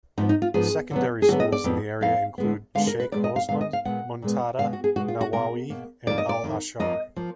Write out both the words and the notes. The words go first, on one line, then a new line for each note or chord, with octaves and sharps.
Secondary schools in the area include Sheikh Osman, Muntada, Nawawi and Al-Ashar.
G#2 F3 B3 D#4
D#4
F4
G#2 F3 B3 G#4
D3 F#3 B3
G#4
D3 F#3 B3 F#4
D#5
D5
F2 F3 B3
F2 F3 B3 F5
D3 G#3 B3
D3 G#3 B3 F5
A#4
B4
A#2 G#3 B3 D5
D#5
F5
A#2 G#3 B3 F5
D#5
F5
A#2 G#3 B3 F#5
A#2 G#3 B3
B2 G#3 B3 F5
F#4
G#4
B2 G#3 B3 F#4
F4
F#4
B2 A#3 A#4
B2 A#3
F2 D#3 A#3 D5
D#5
D5
F2 D#3 A#3
F2 F3 A#3 D#5
F3 A#3